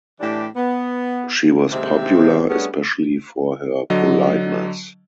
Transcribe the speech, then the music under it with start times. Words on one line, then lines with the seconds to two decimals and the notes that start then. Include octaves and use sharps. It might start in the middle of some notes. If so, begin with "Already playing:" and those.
She was popular, especially for her politeness.
0.20 A2 E3 D4 G4
0.56 B3
1.72 D#2 C3 G#3 C4 G4 E5
2.49 G3 A3 B3 C#4 D4 G#4
3.90 D3 F#3 D#5